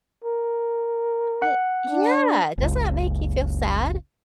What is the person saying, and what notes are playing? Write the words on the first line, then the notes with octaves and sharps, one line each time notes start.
I Yeah, doesn't that make you feel sad?
A#4
F#5
D4
F#1 C#2